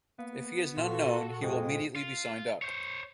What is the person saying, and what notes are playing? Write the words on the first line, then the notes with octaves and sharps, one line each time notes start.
If he is an unknown, he will immediately be signed up.
A#3 B3
A#2 F4 F#4 A4
F2 G#3
F4
C5 C#5